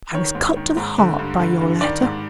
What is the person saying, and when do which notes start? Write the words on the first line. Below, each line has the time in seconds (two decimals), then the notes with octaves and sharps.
I was cut to the heart by your letter.
0.14 D#3 C#5
0.35 G#2
0.57 D#3
0.77 G#2
0.98 D3
1.19 G2
1.40 D3
1.61 G2
1.81 D#3 D5
2.02 G#2